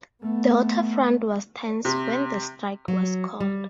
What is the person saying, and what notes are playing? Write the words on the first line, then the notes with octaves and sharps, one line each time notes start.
The waterfront was tense when the strike was called.
A3 B3
C3
F#3
G3